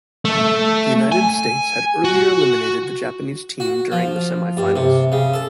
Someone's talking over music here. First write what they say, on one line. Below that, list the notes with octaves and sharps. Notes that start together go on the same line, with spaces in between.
The United States had earlier eliminated the Japanese team during the semi-finals.
A3
G#5
F#4
F#4
F3
G2
C3
C#3
A4